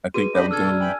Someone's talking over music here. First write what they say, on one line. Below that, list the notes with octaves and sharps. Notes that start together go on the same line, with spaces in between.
I think that would go
F#4 G#4 B4 D#7
D4 G4 D#5 B5 D6
B2 A4 E6 F6 G#6
E3 G5 G#5 B5